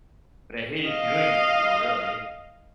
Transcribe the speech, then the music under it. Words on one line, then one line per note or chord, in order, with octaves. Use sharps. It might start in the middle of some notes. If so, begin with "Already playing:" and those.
But I hated doing it really.
D#5 F5